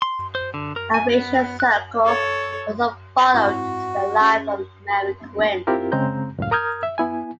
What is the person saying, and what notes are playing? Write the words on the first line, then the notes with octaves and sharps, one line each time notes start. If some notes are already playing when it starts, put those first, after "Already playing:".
"A Vicious Circle" also follows the life of Mary Quinn.
C6
C5
D3
A#4
G#5
B3
F#6
A4 C#5
G#2 C4 E4 F#4
C#4 G#4 G#5
C4 E4 F4 G4 A#4
C#3 G#3 C4 A#5 G6
C#2 F#2 A2 F5
A#4 A#5 D#6 F6 G6 G#6
E5
B3 E4 G#5